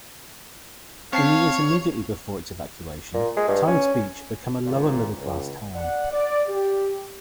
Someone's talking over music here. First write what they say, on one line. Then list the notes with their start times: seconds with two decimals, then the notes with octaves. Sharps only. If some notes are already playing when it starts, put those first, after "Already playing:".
In the years immediately before its evacuation, Times Beach had become a lower-middle-class town.
1.13 C4 C#5 F5 A5 C7
3.14 A#2
3.37 G#3
3.48 G2
3.68 C#4
4.65 G#1 A#2
5.16 C#2
5.75 D5 F#5
6.12 D5
6.48 G4